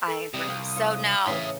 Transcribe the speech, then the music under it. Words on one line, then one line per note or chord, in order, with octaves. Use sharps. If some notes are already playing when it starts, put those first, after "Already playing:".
I agree. So now,
A4
C3 G3 D#6
C2 F5 G5
F4 C#5 E5
A2 C#3 E3 C#5 E5